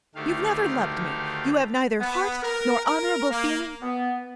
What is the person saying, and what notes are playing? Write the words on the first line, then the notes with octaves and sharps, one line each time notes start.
You have never loved me; you have neither heart nor honorable feeling!
D2 D#3 A3 G4 F5
B3
A#4
A#4
A#3
B3